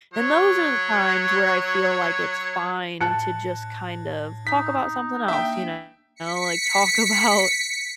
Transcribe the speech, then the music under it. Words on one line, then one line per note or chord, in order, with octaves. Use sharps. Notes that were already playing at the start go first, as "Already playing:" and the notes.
and those are the times where I feel like it's fine to just kind of talk about something else, you know. Like, talk about
F#3 C#5
A2 A5 F#6 C#7
D#4 B6
A#3 D4 E5 G5
B6 C#7